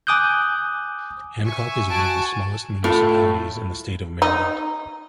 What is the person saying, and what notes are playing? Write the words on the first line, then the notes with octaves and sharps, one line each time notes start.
Hancock is one of the smallest municipalities in the state of Maryland.
G#5 D6 D#6 F#6 G6
E5 G#5 C#6
F#4 F#5 G#5 A5 C#6 D7
A2 A3 F4
D#4